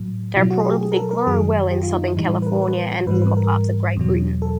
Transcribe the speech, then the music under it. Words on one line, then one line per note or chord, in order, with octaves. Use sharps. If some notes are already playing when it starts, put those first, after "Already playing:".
They reportedly grow well in Southern California and warmer parts of Great Britain.
Already playing: A2 F#3
B2 F#3 E4
F#4
G#4
G4
G#4
A#4
A4
A#4
F#2 D#3 F#3 G#4
G4
F4
D#4
E4
A2 E3 G3 D#4
B4
A#4
B4
G#2 E3 G3 B4
B4
A#4
E2 B2 F#3
A4